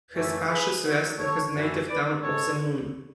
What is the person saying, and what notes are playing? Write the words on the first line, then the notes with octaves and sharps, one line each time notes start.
His ashes rest in his native town of Zemun.
F#2 E3 A3
G#4 B4
B2 F#3 A3
A4 C#5
F#2 E3 A3
B4 D5
G#2 G#3 A4 C#5